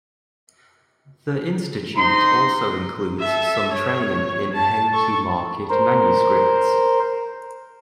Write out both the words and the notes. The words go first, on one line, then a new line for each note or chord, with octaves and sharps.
The institute also includes some training in how to market manuscripts.
D#4 C5 A#5 C6
A4 E5
C#5
A5
A4 C#6
A#4 C5